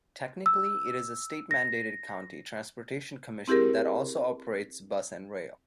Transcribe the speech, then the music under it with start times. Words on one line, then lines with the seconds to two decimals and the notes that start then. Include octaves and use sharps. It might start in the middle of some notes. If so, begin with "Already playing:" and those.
Technically it is a state-mandated county transportation commission that also operates bus and rail.
0.46 E6
1.51 A#6
3.48 C4 E4 G4 G#4 A#4